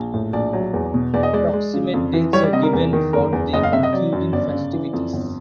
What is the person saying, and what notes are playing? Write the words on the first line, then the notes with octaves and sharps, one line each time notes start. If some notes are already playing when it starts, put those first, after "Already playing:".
Approximate dates are given for the concluding festivities.
Already playing: A#1
A2
A#1 D5
F#3
E2
B2
E2 D5
D#5
G#3 D5
G#3
C#3
F2
E3
G3 C#5
D5
C3 D#5
A#4
E2
D#3
F#1 A#4
E2
F#1 D#5
F5
C3 E5
D#5
F#3 D5
F#2
G1 D5
C#3
E3
F2
G1